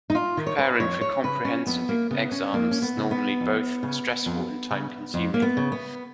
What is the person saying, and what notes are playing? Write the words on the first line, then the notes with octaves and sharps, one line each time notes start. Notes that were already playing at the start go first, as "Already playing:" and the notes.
Preparing for comprehensive exams is normally both stressful and time consuming.
D#4
F4
D#3
C#5
B4
F2 C#5
C#5
C#3 B4
C#4
F2 B3
A#3
C#3 B3
C#4
F2 A#3
C#4
B3
C#3
B3
F2
C#3
F2
C#3
F2
A#3
B3
C#3
B3